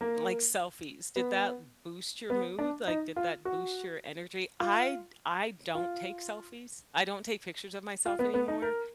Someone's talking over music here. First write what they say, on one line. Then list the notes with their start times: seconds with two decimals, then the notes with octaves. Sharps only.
like selfies? Did that boost your mood? Like, did that boost your energy? I d I don't take selfies. I don't take pictures of myself anymore.
0.01 A#3
1.16 B3
2.30 B3
2.59 D4
2.88 D#4
3.16 F4
3.45 F#4
4.60 F4
5.75 F4
8.06 F4
8.19 B3
8.34 B3
8.48 D#4
8.62 A#4